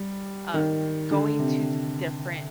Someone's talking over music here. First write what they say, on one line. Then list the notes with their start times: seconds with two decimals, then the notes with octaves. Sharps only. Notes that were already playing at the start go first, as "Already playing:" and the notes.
um, going to th different
Already playing: G3
0.54 D#3
1.11 D3
1.39 C3